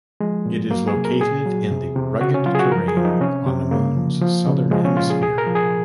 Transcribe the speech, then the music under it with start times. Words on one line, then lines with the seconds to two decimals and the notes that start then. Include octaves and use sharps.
It is located in the rugged terrain on the Moon's southern hemisphere.
0.20 F3 G#3
0.46 A#2
0.70 F#3 A#3
0.88 G#4
0.96 C3
1.05 A#4
1.21 A#2 G#4
1.46 F#3
1.71 C3
1.96 C3
2.21 C#3 F#4
2.34 C#4
2.46 F#3 F4
2.55 G#4
2.59 F#4
2.72 F3 A#4
2.88 G#4
2.97 F3
3.05 D#4
3.21 C3 C#4
3.46 C3
3.71 C#3 A#3
3.96 F3
4.21 F3
4.47 C#3
4.71 F3 G#3
4.85 C#4
4.97 A#2 F4
5.10 G#4
5.22 C3 G#4
5.38 A#4
5.46 F3
5.55 G#4